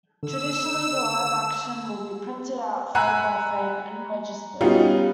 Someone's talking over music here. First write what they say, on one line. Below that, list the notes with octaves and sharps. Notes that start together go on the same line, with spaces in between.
Traditionally, the live action will be printed out frame by frame and registered.
D3 E6
F#5 G#5 A#5 B5 E6 F#6
G3 B3 C#4 D#4 F4 F#4